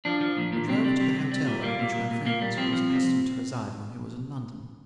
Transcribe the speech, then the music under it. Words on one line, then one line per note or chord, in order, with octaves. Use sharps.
We drove to the hotel at which my friend was accustomed to reside when he was in London.
F3 D4
F3
A#2
A#2
C3 C4
G3
C3
C3
G3
A#2
G3 A#3
A#2
A#2
A#2
A#2 A#3
G3
F3 C4
F3
C3